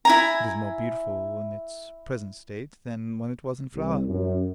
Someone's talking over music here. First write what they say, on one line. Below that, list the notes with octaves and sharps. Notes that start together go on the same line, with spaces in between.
It is more beautiful in its present state than when it was in flower.
E4 G#5 A#5
C2
F#2